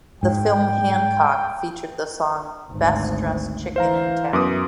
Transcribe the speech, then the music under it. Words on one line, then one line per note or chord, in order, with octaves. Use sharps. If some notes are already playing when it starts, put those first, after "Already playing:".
The film Hancock featured the song "Best Dressed Chicken in Town".
G#2 G5
G#1 D2
E3 C5 F5 A#5
F#2 B3 D6 D#6